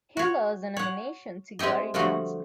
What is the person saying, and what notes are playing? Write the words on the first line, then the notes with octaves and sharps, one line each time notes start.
He lost the nomination to Gary Johnson.
F#4 C#5
C#5 F#5
G#3 C4 E4 G4 D#5
D3 F3 G3 A3 F#4